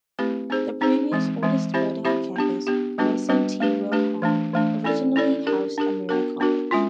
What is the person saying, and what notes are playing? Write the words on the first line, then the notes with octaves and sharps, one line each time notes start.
The previous oldest building on campus, Wilson T. Hogue Hall, originally housed Almira College.
A3 C4 E4 G4 B4
C4 D#4 G#4 C5
C4 D#4 G#4 C5
E3 G#3 C4
E3 G#3 C4
C4 E4 G4 C5 E5
C4 E4 G4 C5 E5
B3 D4 G4
B3 D4 G4
G3 B3 D4 F#4 B4
G3 B3 D4 F#4 B4
A3 D4 G4 B4
A3 D4 G4 B4
E3 A3 D4
E3 A3 D4
C#4 E4 A4 D5
C#4 E4 A4 D5
D4 G4 A#4
D4 G4 A#4
B3 D4 F#4 A#4
B3 D4 F#4 A#4
G#3 C#4 F4